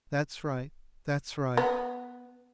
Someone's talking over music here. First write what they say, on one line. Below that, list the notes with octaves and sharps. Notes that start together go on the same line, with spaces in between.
That's right, that's right.
B3